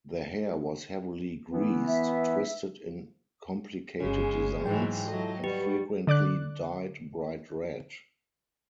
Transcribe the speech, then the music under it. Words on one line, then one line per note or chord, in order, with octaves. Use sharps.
Their hair was heavily greased, twisted in complicated designs, and frequently dyed bright red.
E3 B3
E5
G1 C#3 G#3 C#4 G#4
G#2 E3 F#3 G5
F#3 E4 F4 A4 D#5
D2 G3 F#4 G4 B4
D3 D5 D6 F#6